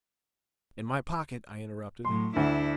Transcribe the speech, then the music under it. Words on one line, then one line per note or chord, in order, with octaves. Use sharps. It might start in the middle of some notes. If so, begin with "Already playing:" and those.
"In my pocket!" I interrupted.
A2 F#3 C6
D2 D4 E4